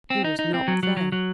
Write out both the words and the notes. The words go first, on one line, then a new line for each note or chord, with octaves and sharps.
He was not there.
C4
D#4
D#4
C4
F#3
F#3
F#3
F#3